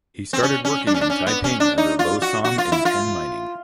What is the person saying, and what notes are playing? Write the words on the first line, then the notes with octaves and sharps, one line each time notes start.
He started working in Taiping under Low Sam in tin mining.
C4
C#4
C#4
D4
C#4
D4
C#4
B3
C#4
D4
D#4
F4
F#4
F#4
F4
E4
F4